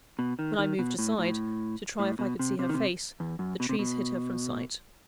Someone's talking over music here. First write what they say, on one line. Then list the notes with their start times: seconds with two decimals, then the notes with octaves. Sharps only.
When I moved aside, to try if I could see her face, the trees hid her from sight.
0.19 B2
0.39 D#3
0.59 D#3
0.79 B2
0.99 A2
1.19 A2
1.99 A2
2.19 B2
2.39 C3
2.59 C3
2.69 D#3
2.74 C3
3.20 E2
3.39 F#2
3.60 B2
3.69 C3
3.79 B2